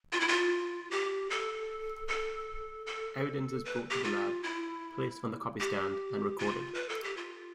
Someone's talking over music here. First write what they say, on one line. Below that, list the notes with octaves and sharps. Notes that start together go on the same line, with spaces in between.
Evidence is brought to the lab, placed on the copy stand and recorded.
F4
E4
F4
G4
A4
A4
A4
B4
G4
F4
E4
G4
F4
B4
A4
G4
F4